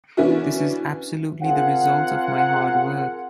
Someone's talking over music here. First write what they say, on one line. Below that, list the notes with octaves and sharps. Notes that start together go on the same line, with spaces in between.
This is absolutely the result of my hard work.
E3 B3 C#4 D4 E4 F#4
C4 F4 G#4 A#4 F5 F#5